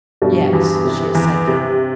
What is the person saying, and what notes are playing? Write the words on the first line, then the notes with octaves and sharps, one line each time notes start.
"Yes," she assented.
G2 B2 G3
E2
C3
E2
C3